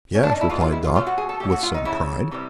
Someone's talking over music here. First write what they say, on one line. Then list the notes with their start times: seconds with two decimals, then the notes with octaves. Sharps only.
"Yes," replied Dot, with some pride.
0.15 C#4
0.23 D4
0.32 D#4
0.41 E4
0.49 A2 E3 G#3 F4
0.61 F4
0.72 E4
0.84 F4
0.95 A#2 F#3 A3 F4
1.07 F#4
1.18 G#4
1.29 A4
1.40 A2 E3 A3 G4
1.52 F#4
1.63 F4
1.74 D#4
1.85 C#3 F#3 A3 E4
2.31 C3 E3 G3